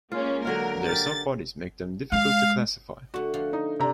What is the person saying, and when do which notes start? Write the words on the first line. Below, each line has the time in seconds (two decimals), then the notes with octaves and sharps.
Their soft bodies make them difficult to classify.
0.12 G#3 A#3 C#4 F4
0.45 D3 F#3 A#4 F5
0.88 G4 A#4 A6
2.12 G#3 F5
3.14 D3 A3 F#4
3.34 D3 F3 F4
3.53 D#4
3.80 C3 D4 A#5